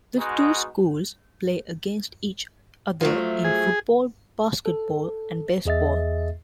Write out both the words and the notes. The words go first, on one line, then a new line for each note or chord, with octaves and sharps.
The two schools play against each other in football, basketball, and baseball.
B2 G#3 D#4 F#4
F3 F#3 A3
G#4
A4
E2 G#4 D#5 E5 A6